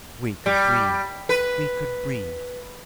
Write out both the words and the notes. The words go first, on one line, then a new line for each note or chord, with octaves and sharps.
We could breathe! We could breathe!
G3
B4